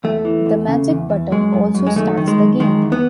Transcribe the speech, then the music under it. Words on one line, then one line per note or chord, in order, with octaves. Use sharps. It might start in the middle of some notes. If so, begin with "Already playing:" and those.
The Magic button also starts the game.
E2 A3
E3
E2
C#3
E2
E2
F#2 G#3
F#2
F#2
G#3
D#3 A3
D#3
G#3
F#2
D#3 G#3
E2
B3